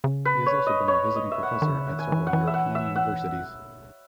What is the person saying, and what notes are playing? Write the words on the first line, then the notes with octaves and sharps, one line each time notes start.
He has also been a visiting professor at several European universities.
C#3
B4
C#5
D#5
C#5
D#5
E5
F#5
D#3
C#3
D#3
G#5
E3
F#5
E3
E5
F#5
E5
F#5